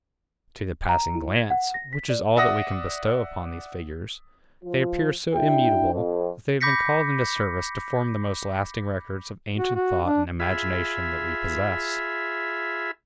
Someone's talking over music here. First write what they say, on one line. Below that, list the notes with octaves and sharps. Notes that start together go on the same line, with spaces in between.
To the passing glance, which is all that we can bestow upon these figures, they appear so immutable that they have been called into service to form the most lasting records of ancient thought and imagination that we possess.
A#5
E4
G#6
F#5
A#6
B6
D5
D5 E5 F#5 D#6 A#6
F3 F4
D4 E4 F#4 G5
F2
B5 D6 G6 A#6 B6 C#7
F#4
F#4
D4
F4 G#4 E5 B5